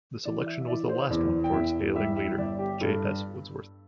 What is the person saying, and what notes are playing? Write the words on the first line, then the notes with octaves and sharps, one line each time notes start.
This election was the last one for its ailing leader, J. S. Woodsworth.
E3 D5
E5
E5
E3 D5
C5
E2 D5
G5
E2 E5
G3 E5
E5
G1 D5
G4
G2 A4